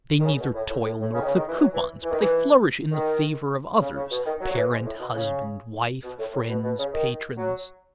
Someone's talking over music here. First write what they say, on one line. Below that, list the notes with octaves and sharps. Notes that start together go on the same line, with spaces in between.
They neither toil nor clip coupons, but they flourish in the favor of others--parent, husband, wife, friends, patrons.
D#3
C#3
B2
A2
A2
A2
A2
C#3
D#3
C#3
D#3
E3
F#3
E3
E3
D#3
E3
D#3
C#3
C#3
B2
D#3
F#3
F#3
E3
G#2
A2
B2
C#3
B2
A2
A2
B2
B2
C#3
D#3
F#3